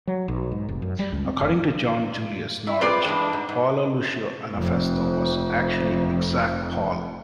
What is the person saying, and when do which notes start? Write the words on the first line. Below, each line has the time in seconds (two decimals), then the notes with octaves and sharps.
According to John Julius Norwich, Paolo Lucio Anafesto was actually Exarch Paul.
0.07 F#3
0.28 B1
0.52 G#2
0.69 F1
0.82 F#2
0.99 G3
1.12 C#2
1.25 C4
1.41 F1
2.67 E4
2.81 C4 F4 G#4 B4 C5 D5
3.05 G2 E3 G#3 D4
3.33 G#2
3.49 G#2
4.55 F1 F2